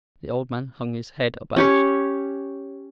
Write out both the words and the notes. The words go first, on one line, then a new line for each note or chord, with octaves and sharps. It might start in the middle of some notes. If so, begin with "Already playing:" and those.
The old man hung his head, abashed.
C#4 G4 C#5